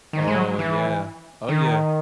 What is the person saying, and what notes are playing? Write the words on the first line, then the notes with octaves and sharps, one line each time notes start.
Oh, yeah. Oh, yeah.
D#3
G#3
F#3
E3
D#3